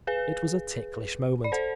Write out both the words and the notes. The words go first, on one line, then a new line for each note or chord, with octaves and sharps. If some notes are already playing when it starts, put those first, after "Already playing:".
It was a ticklish moment.
G#4 B4
D5
A4 C5